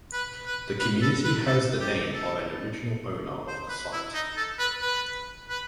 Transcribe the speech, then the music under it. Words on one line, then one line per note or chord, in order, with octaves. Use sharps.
The community has the name of an original owner of the site.
B4
B4
B4
A4
B4
A4
G4
A4
C5
B4
E4
D#4
A4
B4
B4
B4